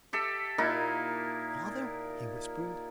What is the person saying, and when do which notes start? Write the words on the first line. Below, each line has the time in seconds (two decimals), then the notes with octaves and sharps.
"Father!" he whispered.
0.13 G4 A4 E5
0.58 A#2 A#3 D#4 E4